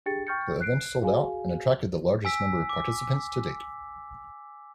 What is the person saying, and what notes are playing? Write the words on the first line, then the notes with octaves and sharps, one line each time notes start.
The event sold out and attracted the largest number of participants to date.
D4 G4 G#4 G5 A6 C#7
G5 C#6 F6 G6 A6 C#7
F#6 C7 D7
F#4 G#4 F5 G#5
G#5 E6 B6
D6